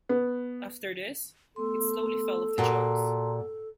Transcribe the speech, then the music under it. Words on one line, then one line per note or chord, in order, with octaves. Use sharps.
After this, it slowly fell off the charts.
B3
A3 B3 A4 C6
A#2 F#4 G4 A5 A#5 C6